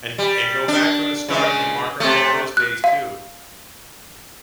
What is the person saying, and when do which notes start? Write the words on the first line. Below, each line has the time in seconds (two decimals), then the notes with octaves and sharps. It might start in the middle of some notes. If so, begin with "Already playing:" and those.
and and go back from the start and mark off all those days too
0.18 G3
0.68 D4
1.28 C#3 G#3
2.00 C3 A3
2.57 F#6
2.84 F5